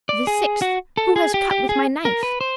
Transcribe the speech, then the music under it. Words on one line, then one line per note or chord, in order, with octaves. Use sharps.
The sixth, "Who has cut with my knife?"
D5
G#4
F#4
A4
G#4
G4
G4
G#4
A#4
B4
C5